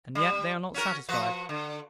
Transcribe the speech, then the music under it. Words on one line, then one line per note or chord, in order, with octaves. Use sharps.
And yet they are not satisfied.
G3
C#4 F#4 A#4
F3 F#4 B4
D3